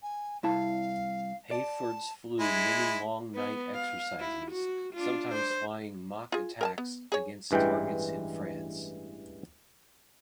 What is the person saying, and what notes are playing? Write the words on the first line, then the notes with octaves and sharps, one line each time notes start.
Heyfords flew many long night exercises, sometimes flying mock attacks against targets in France.
G#5
C2 E4 F5 A5
D5 A5
G#3 E4
B3
F5
E4
F#4
D4 F4
C5
F4 G#4
A#4 G#5 A5
B3
G#4 C#5
A1 G2 E3 G#3 G5